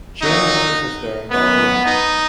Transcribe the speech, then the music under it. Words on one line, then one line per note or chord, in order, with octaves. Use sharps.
Jim has a sister, Jeanne.
A#2 F#3 D#4
F#2 D#3 F#3 B3
D#4